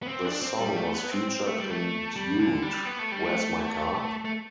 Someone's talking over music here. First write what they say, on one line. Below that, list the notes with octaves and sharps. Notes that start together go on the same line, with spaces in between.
The song was featured in Dude, Where's My Car?
B3
C4
D4
C4
G3
A3
B3
C4
C4
A3
G3
A3
G3
D3
G3
B3
A3
G3
A3
A3